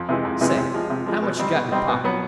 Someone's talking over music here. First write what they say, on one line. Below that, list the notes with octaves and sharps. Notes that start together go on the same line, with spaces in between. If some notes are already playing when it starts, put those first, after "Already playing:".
Say, how much you got in your pocket?
Already playing: F2
C3 E3 G#3
F2
C3 E3 G#3
C3
F3 G#3
C3
F3 G#3
B2
G3 C4 D#4
B2
G3 C4 D#4
B2
F#3 B3